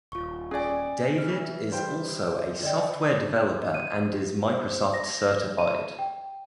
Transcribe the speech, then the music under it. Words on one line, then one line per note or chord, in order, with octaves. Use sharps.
David is also a software developer and is Microsoft Certified.
D#1 F4 C#6
C#4 G#4 D5 G#5
E3 F6
G3 C5 G5
D3 D5 D#5 G5
D#5
D#7
G4
C5
A#6
D#7
G5